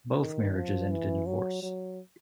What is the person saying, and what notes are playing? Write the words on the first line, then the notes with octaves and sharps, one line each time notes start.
Both marriages ended in divorce.
D#3
F3
E3
F#3
F#3